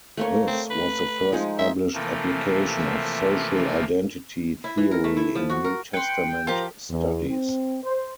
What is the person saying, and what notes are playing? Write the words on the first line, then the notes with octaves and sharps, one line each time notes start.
This was the first published application of social identity theory in New Testament studies.
A3 A#3 C#5
C4
B4
F3 G#3 D#4
E5
C3 E3 F3 A3 A#3
E4
E3
A#4
A3
E4
F3
F#4
A#4
B4 G5 C6 C#7
F3 F4 G4 A#4 C5 A#5
E2
C4
C5